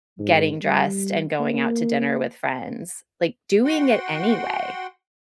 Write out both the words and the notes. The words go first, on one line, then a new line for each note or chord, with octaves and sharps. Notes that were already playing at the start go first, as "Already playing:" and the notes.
getting dressed and going out to dinner with friends, like, doing it anyway,
G#2
G3
A#3
F#4 F#5 G5 C6